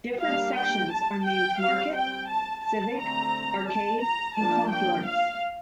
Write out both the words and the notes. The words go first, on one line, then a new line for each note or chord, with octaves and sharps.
Different sections are named Market, Civic, Arcade, and Confluence.
G3 A#3 D4 F5
G5
A5
G5
G3 C4 F5
G5
A5
A5
D3 A3 C4 A#5
A5
A#5
F3 A#3 D4 A5
G5
F5